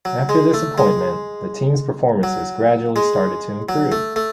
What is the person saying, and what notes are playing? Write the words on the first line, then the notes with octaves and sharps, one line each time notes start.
After this appointment the team's performances gradually started to improve.
F#3
G#3
A3
G#3
F#3
G#3
F#3
A3
A3